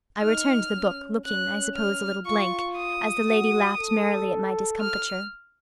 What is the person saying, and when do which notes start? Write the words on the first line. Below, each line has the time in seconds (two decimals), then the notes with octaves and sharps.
I returned the book, looking, I suppose, a little blank, as the lady laughed merrily at my discomfiture.
0.22 D#4 F6
0.74 C#4
1.25 C#4 F#6
1.76 F6
2.26 F4 C#6
2.77 D#6
3.28 F#4
3.79 A4
4.81 F6